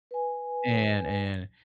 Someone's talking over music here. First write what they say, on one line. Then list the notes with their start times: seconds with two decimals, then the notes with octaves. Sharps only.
And and
0.11 B4 G#5